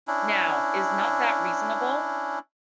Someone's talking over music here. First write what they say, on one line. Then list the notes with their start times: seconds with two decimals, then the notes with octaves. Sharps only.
Now, is not that reasonable?
0.07 C#4 D4 E4